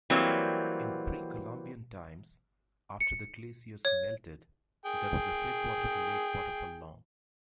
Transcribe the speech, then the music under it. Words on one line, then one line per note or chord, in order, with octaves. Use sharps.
In Pre-Columbian times, after the glaciers melted, there was a freshwater lake waterfall long.
E3 F#3 G3 A#3 C4
C#7
C#5
G#4 G5